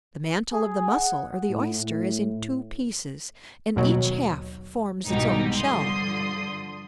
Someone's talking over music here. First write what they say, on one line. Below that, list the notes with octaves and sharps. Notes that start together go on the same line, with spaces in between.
The mantle of the Mussel or the Oyster is in two pieces; and each half forms its own shell.
G#4
F#5
A2
A2
D#2 B2 F#3
C2 G#2 B2 D#4 G4
G2 D3 F3 C6 D#6